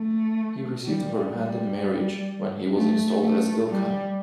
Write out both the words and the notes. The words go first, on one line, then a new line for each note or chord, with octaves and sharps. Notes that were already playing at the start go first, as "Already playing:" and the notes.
He received her hand in marriage when he was installed as Ilkhan.
Already playing: A3
G3
G3
A3
A3
G3